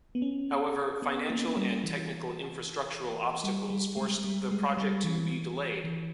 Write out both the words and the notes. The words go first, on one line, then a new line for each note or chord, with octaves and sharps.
However financial and technical infrastructural obstacles forced the project to be delayed.
B3
C#4
B3
A#3
G3
E3
G3
G3
G#3
G3
G#3
G3
E3
E3